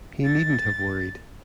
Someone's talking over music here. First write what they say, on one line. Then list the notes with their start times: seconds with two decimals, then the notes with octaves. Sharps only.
He needn't have worried.
0.24 A6